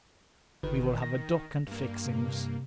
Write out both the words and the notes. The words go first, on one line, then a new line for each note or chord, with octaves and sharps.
We will have a duck and fixings.
G1 D3 D#3 B4
A#6
G2 A#3
C3